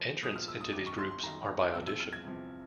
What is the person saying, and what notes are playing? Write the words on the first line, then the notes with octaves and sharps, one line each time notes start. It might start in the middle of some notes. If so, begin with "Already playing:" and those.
Entrance into these groups are by audition.
Already playing: A#2 F3
A#2 F3 D#6
F6
E6
D#6
F#2 D#3 D6
C#6
C6
C6
F#2 D#3 A#5
E2 C3 F3 E6
E6
F6
G#6
E2 C3 F3